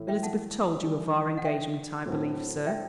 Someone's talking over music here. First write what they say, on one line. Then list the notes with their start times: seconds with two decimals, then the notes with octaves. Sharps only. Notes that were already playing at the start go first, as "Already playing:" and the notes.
"Elizabeth told you of our engagement, I believe, sir?"
Already playing: A2 E3 A3 E4
0.08 E5 G5
0.23 F#5 A5
0.84 E3 G3 D4 G4
1.37 F#5
1.45 E5 G5
2.06 A2 F#3 C4 F#4 A4
2.66 E5 G5